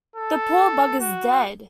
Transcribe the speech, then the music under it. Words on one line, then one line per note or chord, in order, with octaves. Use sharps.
The poor bugger's dead!
A4
F#4